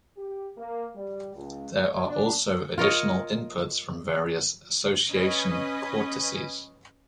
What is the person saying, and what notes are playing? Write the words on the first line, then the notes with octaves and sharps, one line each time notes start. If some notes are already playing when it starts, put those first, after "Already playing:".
There are also additional inputs from various association cortices.
G4
A#3
G3
C#2
C#5
D4
F4 A#4 C#5 D#5
C#4 B4 D#5